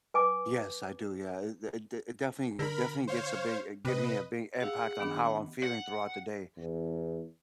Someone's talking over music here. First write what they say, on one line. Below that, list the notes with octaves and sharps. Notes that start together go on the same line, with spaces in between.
Yes, I do, yeah, it it it definitely it definitely gets a big give me a big impact on how I'm feeling throughout the day,
B4 G#5 D6
D3 A#4 B5
C5 C#5 F5
C3 B4 D#5
G4 G#4 F5 F#5 E6
D#3 B3 D4
F#5
E2